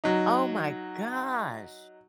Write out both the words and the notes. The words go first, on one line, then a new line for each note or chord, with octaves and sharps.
Oh my gosh.
F#3 D#4